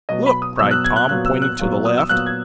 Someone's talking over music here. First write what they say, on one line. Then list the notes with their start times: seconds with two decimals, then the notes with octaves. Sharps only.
"Look!" cried Tom, pointing to the left.
0.09 B2 F#3 B3 D#5
0.26 B5
0.42 D#6
0.59 B2 F#3 B3 E6
0.71 F#6
0.84 G#6
0.96 F#6
1.09 A#2 F#3 B3 F#6
1.25 E6
1.42 F#6
1.59 A#2 F#3 B3
1.85 D#6
1.97 E6
2.09 A#2 F#3 B3 F#6
2.26 G#6